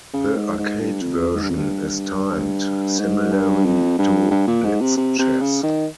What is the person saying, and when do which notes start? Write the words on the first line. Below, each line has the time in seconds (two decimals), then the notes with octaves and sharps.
The arcade version is timed, similarly to blitz chess.
0.14 C#3
0.36 G#2
0.58 G#2
0.80 G2
1.02 F2
1.35 G#2
1.42 G2
1.50 F2
1.57 G2
2.99 G#2
3.32 G2
3.65 F2
3.98 G2
4.31 G2
4.47 A#2
4.64 G#2
4.81 C3
4.97 C3
5.19 C3
5.41 C#3
5.63 D#3